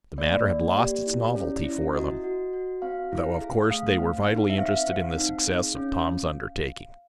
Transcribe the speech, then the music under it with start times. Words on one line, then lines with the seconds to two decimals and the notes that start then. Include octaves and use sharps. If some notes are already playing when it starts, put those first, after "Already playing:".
The matter had lost its novelty for them, though, of course, they were vitally interested in the success of Tom's undertaking.
0.18 A#3 D5
0.48 A#3
0.77 G4
1.06 E4
1.36 C#4
1.65 E4
1.94 F#4 D#5
2.24 F#4
2.53 F#4
2.82 C4 F5
3.12 E4
3.41 G#4
3.70 A3 F5
4.00 C4
4.30 D#4
4.50 E5
4.58 C4 F5
4.88 C4
5.17 D#4
5.47 G#4
5.75 C#4